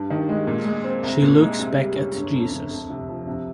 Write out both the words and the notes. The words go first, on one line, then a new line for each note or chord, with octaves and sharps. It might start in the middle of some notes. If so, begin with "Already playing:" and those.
She looks back at Jesus.
Already playing: G2 G3
D#3
G#3
A#2
G#3
C4
C2
A#2
G#3
C3
G3
C#4
G1
F2
C#3
F2
C3
F3
C3